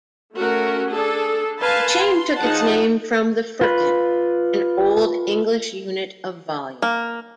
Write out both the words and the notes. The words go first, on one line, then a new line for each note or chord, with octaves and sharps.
The chain took its name from the firkin, an old English unit of volume.
A3 C#4 F#4 A#4
D4 G#4 A4
B4 F5 G#5 A5 C6
C6
F3 D#4 F4 G#4 F#5 A5
F4 B4
A#3